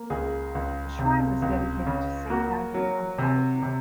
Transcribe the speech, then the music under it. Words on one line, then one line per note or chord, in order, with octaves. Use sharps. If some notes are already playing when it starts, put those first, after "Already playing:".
A shrine was dedicated to Saint Adrian on the Isle of May.
Already playing: A#3
C#2 G#4
C#2
C3
C#2
C#3
A#3 F#4
F#3
C3
C3